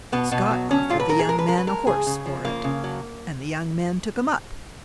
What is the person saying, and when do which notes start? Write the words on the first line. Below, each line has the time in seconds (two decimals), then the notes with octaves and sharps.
Scott offered the young man a horse for it, and the young man took him up.
0.12 B2 B3
0.32 B2 B3
0.51 F#3
0.70 F#3 C#4
0.90 A#2 F4
1.00 B4
1.09 A#2 A#4
1.19 G#4
1.29 G#3 A#4
1.39 B4
1.48 G#3 A#4
1.58 B4
1.67 G#3 A#4
1.87 C#3 G#4
2.06 C#3
2.26 F3
2.45 C#3 A#3
2.64 C#3
2.84 F#3